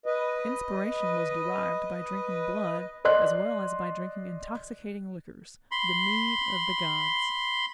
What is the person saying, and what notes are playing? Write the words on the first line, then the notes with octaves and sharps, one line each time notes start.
Inspiration was derived by drinking blood as well as by drinking intoxicating liquors--the mead of the gods.
B4 D#5
D5 D#5 C6 F#6
B5 C6